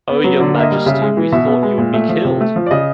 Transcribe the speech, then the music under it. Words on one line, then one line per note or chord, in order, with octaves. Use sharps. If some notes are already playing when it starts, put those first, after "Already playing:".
Oh, your Majesty, we thought you would be killed!
B3
F#3
D3 D5
A#3 E5
D#5
G3
C#3 E5
G#3
E3
B2 E5
B3
G#3
A#2
A3
F3
C3
A3
F3
D5
C#3 D#5